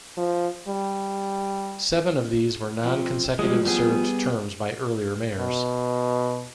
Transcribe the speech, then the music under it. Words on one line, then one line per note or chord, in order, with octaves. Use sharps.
Seven of these were nonconsecutive served terms by earlier mayors.
F3
G3
F3 C4
A2 F3 G3 G#3
G3 B3 G#4
B2